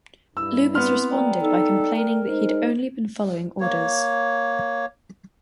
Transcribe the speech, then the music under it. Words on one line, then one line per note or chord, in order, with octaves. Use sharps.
Lubis responded by complaining that he had only been following orders.
G2 E4 E6
B3 C4 C6 F6
F#3 A3 A#3 D5 G5 A#5
D#4 A4
A#4
G#3 D#4 C5
A#3 C#5